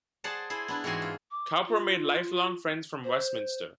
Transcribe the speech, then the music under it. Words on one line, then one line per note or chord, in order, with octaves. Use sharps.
Cowper made lifelong friends from Westminster.
G#4 C5 D5 F#5 A5
E4 G#4 C5
B3 D4 E4
G#2 E3 C4 F#4 G#5 C6
F4
D6
F4
C5